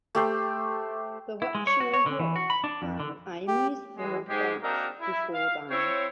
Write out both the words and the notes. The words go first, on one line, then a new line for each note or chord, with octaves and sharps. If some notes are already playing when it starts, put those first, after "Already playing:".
The ritual works and Amy is brought back before them.
A3 G4 C5
E4
G#3
C#5
F#4
C#5
D3
E3
F#4
B5
D4
F2
D3
G4
E3 G#3
G#2 G#3 G4
A#3 C4 D4 D#4 F#4 A#4
E4
F5
C4 E4 C5 C#5